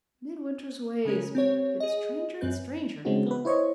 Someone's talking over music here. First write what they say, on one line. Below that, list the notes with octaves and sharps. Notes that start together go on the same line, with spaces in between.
"Midwinter's ways get stranger and stranger," he thought.
C#3 G#3 C#4 A#4
C4 G4 C#5
G#4 D#5
F#2 C4 B4 G6
C#3 G#3 C4 C#4 D#4 F#4
B3 B4
E4 C5 C#5 D#5 C#6